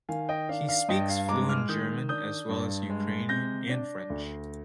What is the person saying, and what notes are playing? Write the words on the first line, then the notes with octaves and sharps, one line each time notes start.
He speaks fluent German as well as Ukrainian and French.
D#3 F5 G#5
D#5 G5
D4 F5
F5
G2 D#5 G5
F5
G#3 A#5 D6
D6 F6
D#3 D#6 G6
D4 D#6 G6
G2
G#3
C3 G6 A#6
D4
D2